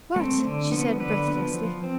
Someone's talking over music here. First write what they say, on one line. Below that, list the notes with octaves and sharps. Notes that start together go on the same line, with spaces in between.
"What?" she said breathlessly.
A3 C4
D3
F3 B3
D3 B4
F3 B3
F3
C4